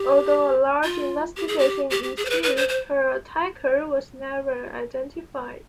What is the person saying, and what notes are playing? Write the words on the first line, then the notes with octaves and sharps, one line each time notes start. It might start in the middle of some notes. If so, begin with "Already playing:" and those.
Although a large investigation ensued, her attacker was never identified.
Already playing: G4
F4
G4
G#4
G4
G4
G4
G#4
C5
B4
B4
C5
C5